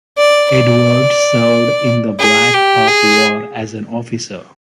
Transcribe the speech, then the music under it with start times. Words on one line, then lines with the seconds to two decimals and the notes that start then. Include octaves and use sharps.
Edwards served in the Black Hawk War as an officer.
0.18 D5
0.51 D5
2.20 G#4
2.54 G4
2.87 G#4